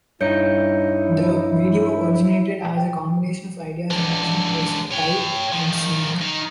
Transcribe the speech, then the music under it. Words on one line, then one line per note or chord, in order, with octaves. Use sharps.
The video originated as a combination of ideas envisioned by Stipe and Singh.
G2 D#4 E4 C#5 G6 C#7
C#2 D3
C#5 G5
D#3 F3
D#3